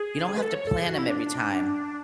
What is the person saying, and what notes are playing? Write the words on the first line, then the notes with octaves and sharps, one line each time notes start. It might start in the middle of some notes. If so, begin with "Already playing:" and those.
you don't have to plant 'em every time.
Already playing: G#4
B4
A4
C#5
A4
G#4
F#4
E4
D4